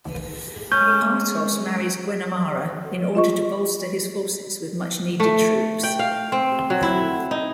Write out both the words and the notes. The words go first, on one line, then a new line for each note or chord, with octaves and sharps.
Artos marries Guenhumara in order to bolster his forces with much needed troops.
G#3 C#4 G6
F4 D#5 C#6
A3
G5
F5
C4
F#3
E4
D#4